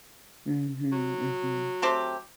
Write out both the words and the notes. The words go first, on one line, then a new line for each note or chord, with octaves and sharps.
Mhm, mhm.
F#3
A3 C4 G4